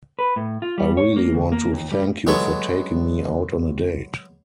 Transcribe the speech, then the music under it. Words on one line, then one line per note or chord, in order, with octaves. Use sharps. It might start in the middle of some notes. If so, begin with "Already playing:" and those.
I really want to thank you for taking me out on a date.
B4
A2
F4
G3
C#5
A#3
D2
A#3
D#2
G3
F#3 G#3 B3 A4 B4 C#5